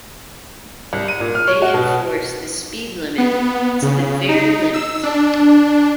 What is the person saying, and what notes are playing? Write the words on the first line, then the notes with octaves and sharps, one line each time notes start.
They enforce the speed limit to the very limit!
C2
D#7
A#2
F6
C#5
F#4
B2
B3
C#3
D#4
E6
D4